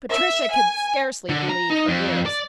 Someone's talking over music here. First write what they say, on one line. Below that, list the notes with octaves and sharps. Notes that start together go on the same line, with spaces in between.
Patricia could scarcely believe her ears.
E5
G#5
D3
A#5
D#4
F2
D5